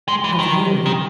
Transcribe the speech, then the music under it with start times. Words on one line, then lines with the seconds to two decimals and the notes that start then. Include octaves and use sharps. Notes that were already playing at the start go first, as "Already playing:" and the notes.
"Of you?"
0.08 G#3
0.24 E3
0.39 D#3
0.86 D#3